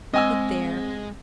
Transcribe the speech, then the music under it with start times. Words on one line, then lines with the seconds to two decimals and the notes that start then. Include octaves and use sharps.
But there!
0.14 G#3 C4 D#5 G#5 E6